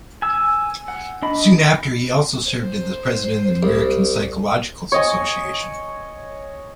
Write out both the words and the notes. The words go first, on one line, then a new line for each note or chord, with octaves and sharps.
Soon after, he also served as the president of the American Psychological Association.
G#5 E6
F#5
D4 D#5 B5
C5
C2
C#5 D#5 G#5